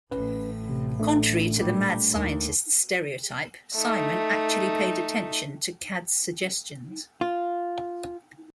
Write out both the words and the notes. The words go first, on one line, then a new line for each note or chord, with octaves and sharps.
Contrary to the mad scientist stereotype, Simon actually paid attention to Cad's suggestions.
A1 A2 C#4 B4
C3
A3 D4
A#2 G3
D#2
A3 D#4
F4